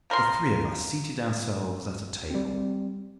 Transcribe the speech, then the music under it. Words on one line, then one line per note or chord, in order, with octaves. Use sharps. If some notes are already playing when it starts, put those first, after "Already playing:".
The three of us seated ourselves at a table.
F3 A#4 B4 C6
G3 C4